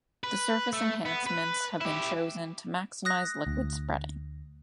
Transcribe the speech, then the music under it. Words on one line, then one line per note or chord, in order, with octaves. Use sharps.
The surface enhancements have been chosen to maximize liquid spreading.
B4
A3
B3
B4
E4 G4
D#6 F#6 A#6
D2